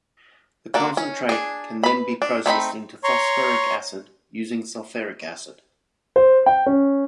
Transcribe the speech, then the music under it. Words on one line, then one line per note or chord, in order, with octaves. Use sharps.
The concentrate can be then processed into phosphoric acid using sulphuric acid.
A#3 D4 F#4
C#4
D4 G#4
B4 B5
D4
A3 C4 D#4 B5
C#5 A#5 C6 C#6
C5
G5
C#4